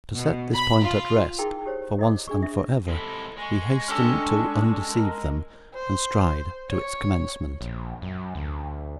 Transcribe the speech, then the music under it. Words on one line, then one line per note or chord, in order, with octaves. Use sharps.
To set this point at rest, for once and for ever, we hasten to undeceive them, and stride to its commencement.
B2
B5
F4
D#4 E4 G#4 A#4 G5
G4 C5 C#5
E4 D#5 D6
D4 G#4 C#6
E5
C3 G#3 E4 A4
G#3 G#5 C#6
C#4 D4 G4 A4
A#4
C5
C#5
A#1
F#2
D2